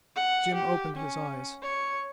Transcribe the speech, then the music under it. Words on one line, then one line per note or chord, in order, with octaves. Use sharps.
Jim opened his eyes.
F#5
G4
C#4
C#5